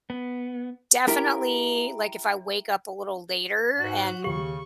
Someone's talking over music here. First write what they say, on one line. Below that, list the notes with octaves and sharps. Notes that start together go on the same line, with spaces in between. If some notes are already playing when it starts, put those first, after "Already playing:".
definitely, like, if I wake up a little later and,
B3
E4 G4 A#4
G#2 F#4 F#6
D#2 C#3 G4 C#6 F#7